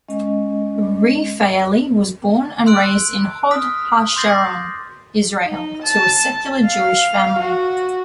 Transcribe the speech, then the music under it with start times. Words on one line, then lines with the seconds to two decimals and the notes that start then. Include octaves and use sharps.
Refaeli was born and raised in Hod HaSharon, Israel, to a secular Jewish family.
0.09 G#3 C#4 D#5
2.66 C6 E6 F#6 D7
3.51 D#6 F6 B6
4.16 C6 D6 G6 A6 A#6 C7
5.46 D#4
5.83 A5
6.65 F5
7.39 F#4